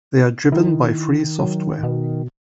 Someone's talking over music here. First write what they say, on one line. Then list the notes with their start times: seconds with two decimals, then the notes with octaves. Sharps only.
They are driven by free software.
0.52 D#3 E4
1.39 F#3
1.83 B2